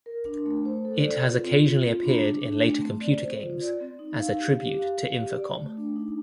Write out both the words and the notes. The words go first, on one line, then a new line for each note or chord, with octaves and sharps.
It has occasionally appeared in later computer games as a tribute to Infocom.
A#4
D4
A3
C5
A4
D5
F4
C4
F4
F4
D4
D4
D4
A3
C4
D5
C5
F4
D5
C4
D#4
F5
G4
G4
F5
F5
G4
D5
A3
D4
D#4